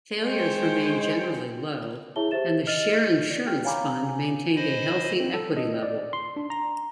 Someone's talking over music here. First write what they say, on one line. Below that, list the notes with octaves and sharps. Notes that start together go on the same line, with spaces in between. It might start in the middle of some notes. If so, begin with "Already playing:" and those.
Failures remained generally low, and the Share Insurance Fund maintained a healthy equity level.
G#3 C5 C#5 G5
E4 G#4 C#5 E5 A5 G7
G4 C5 E5 A6 E7
D#5 F6 A6
D5
G4 G5 F6
C#5 F5 G#5 A#5 B5 D6
C5 D#5 G#5 B5
C4
A4
D#5
D5
C6
D4
A#5